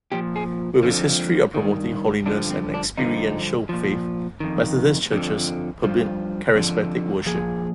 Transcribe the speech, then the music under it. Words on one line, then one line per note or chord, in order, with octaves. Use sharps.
With its history of promoting holiness and experiential faith, Methodist Churches permit charismatic worship.
A#2 F3 G4
G#4
F2 D3 F3
G2 D#3
G2 D3 F3 D4
C4
D4
G2 D3 F3 D#4
A#2 F3
F2 D#3
F2 D3 F3
G2 F3
F2 D3 F3
A#2 F3 G#4